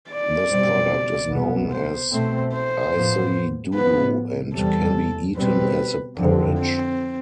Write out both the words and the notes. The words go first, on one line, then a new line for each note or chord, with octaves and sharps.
This product is known as isidudu and can be eaten as a porridge.
D5
B2 G3 C4
C2 B2 B3
C5
B2 A3 C4 C5
C5
A2 F3 B3
A2 F3 B3 B4
E2 C3 G3 A4
B2 G3 C4 B4
F2 D3 F3 C4
C4